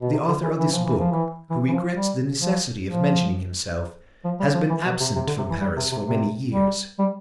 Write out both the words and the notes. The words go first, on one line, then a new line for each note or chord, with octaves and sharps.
The author of this book, who regrets the necessity of mentioning himself, has been absent from Paris for many years.
B2
C3
D3
E3
E3
F3
E3
F3
E3
E3
E3
F3
G3
F3
F3
F3
G3
F3
E3
B2
C3
C3
D3
C3
E3
G3
C3
C3
C3
G3
G3